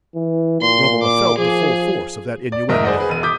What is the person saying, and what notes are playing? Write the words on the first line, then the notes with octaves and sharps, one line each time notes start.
Romola felt the full force of that innuendo.
E3
A#2 C6
D6
F3 G#4
D5
F#1 G#3 A#4 D#5 E5
G#4 C5 D5 D#5 F#5
G#4 B4
E1 D#7
D6 D#6 G6 B6